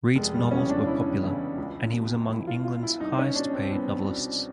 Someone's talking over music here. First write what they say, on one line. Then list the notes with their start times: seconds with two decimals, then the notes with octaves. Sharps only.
Reade's novels were popular, and he was among England's highest-paid novelists.
0.15 F1 G#3
0.34 G3
0.51 E2 C#3 E3 C#4
0.70 D4
0.86 F1 E4
1.23 E2 C#3 E3
1.58 C#2
1.93 B2
2.28 C#2 E4
2.47 F4
2.64 B2 F4
2.83 E4
3.00 C2 D#4
3.18 C#4
3.35 B2 D4
3.53 C4
3.71 C2 B3
4.07 B2